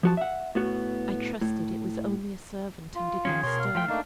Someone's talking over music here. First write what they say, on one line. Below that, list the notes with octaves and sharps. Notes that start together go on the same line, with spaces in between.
I trusted it was only a servant, and did not stir.
F3 F#4 A5
E5 F#5
A2 B3 F#4
A2
F4
D#3 F3 C#4 G#4
B2 A#4 C#5 C6
F5
F3 A3 F4 G5
A3 A#3 D4 D#4